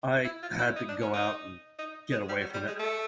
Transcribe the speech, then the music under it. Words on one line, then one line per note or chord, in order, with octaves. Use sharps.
I had to go out and get away from it.
E4
F4
E4
D#4
D4
C#4
D#4
D#4
G#3
G3
F#3
G3
G#3
A3